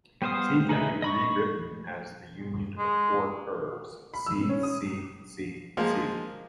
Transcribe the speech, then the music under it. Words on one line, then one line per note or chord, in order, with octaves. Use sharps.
"C" can be rewritten as the union of four curves: "C", "C", "C", "C".
G3 B3 C5 F5 D#6
D#4 G#4 B4 D#5 E5
D#5 B5 C#6
G#3
B5
E6
C#4
D#6
F3 G#3 A#3